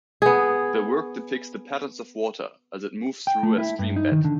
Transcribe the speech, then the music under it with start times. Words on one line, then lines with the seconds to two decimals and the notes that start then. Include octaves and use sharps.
The work depicts the patterns of water as it moves through a stream bed.
0.22 B3 G#4
3.27 G5
3.43 A3
3.58 E4
3.79 G2
3.96 D#4
4.12 D#3
4.24 D3